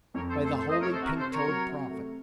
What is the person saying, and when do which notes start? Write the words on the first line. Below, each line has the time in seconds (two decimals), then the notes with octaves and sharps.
By the Holy Pink-toed Prophet!
0.14 F2 A#4 C#5
0.29 A4 C5
0.37 A3
0.44 A4 C5
0.58 A3 A4 C5
0.69 C5 D#5
0.80 C3 A#4 C#5
0.91 A4 C5
1.02 C3 F#4 A#4
1.17 A4 C5
1.24 C3
1.32 A#4 C#5
1.47 F#3
1.69 C3
1.91 A3